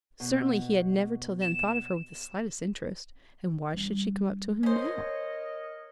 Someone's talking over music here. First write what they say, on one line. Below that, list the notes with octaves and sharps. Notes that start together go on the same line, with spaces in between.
Certainly he had never till then thought of her with the slightest interest, and why should she come up to him now?
B2
E7
G3 D4
C#4 A#4 C5 C#5 D#5